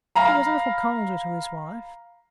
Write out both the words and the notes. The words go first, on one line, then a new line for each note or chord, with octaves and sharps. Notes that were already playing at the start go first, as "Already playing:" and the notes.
He was a little colder to his wife.
F5 A#5 B5